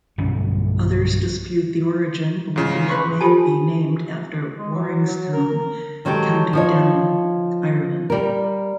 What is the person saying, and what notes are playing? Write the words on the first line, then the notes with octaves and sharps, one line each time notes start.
Others dispute the origin, believing it may be named after Waringstown, County Down, Ireland.
B1 G2 D3 C#4
G#2 C#3
B4 C6 C#6
F4 G4 A4 C5 G#5 A5
G#3
F#3
F#3
A#4
A#4
D#3 F#3 G#3 G4 A4
F3 D#4 C#5
G3 A#4